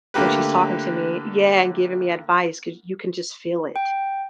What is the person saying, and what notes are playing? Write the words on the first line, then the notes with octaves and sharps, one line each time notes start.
when she's talking to me Yeah, and giving me advice 'cause you can just feel it,
D3 A3 A#3 G4 B4
G5